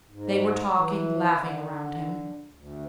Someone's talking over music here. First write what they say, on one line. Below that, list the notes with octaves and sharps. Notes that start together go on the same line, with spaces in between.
They were talking, laughing around him.
G#2
E3
D3
D2